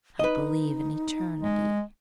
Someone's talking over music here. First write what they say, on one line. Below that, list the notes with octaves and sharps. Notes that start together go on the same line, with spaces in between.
I believe in Eternity.
D#4 B4 D#5
G#3